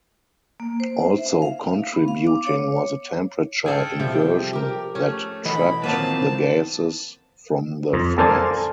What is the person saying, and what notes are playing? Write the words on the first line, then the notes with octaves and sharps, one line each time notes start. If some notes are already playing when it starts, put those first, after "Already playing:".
Also contributing was a temperature inversion that trapped the gases from the fires.
A#3
C5
E5
F5
B3
F5
D6
C#5
G#4 A4 F5 G5
C3 F3 G3 G4
G4 A#4
A3 C#4
B2 E3 D#5 B5
A2 D#3 F3 F#3 A#3 C4 B4 A5
F2
A4 A#4 C5 D5 F5 G#5